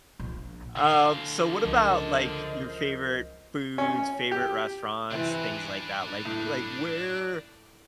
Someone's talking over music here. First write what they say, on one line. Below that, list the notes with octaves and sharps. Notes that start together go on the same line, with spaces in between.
um, so what about, like, your favorite foods, favorite restaurants, things like that, like like, where
A#1
D3 F5
C#2 F3 A#4 C5 D#5 A#6
C#4
G4
C3 E3 D4 B4
A2